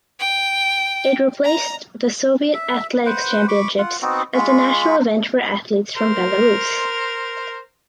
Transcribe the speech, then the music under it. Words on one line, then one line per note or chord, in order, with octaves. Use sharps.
It replaced the Soviet Athletics Championships as the national event for athletes from Belarus.
G5
A#5
E5
B4 C5 F#5
B5 C#6 D6
F4 F#5
B3 C4 D#4 F#4
G#3 F4 B5 C#6
A#4 C5